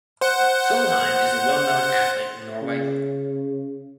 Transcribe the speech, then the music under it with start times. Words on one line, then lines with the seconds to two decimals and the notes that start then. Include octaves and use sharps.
Solheim is a well known athlete in Norway.
0.21 C5 F#5
2.62 C#3